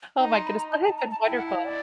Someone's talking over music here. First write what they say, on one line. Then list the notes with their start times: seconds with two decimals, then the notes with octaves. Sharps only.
Oh my goodness, but hey its been wonderful.
0.18 D#4 A#5
0.32 C6
0.45 B5
0.58 A#5
0.72 A5
0.84 A5
0.98 A#5
1.11 A5
1.23 E4 G5
1.37 F#5
1.50 D#5
1.63 D5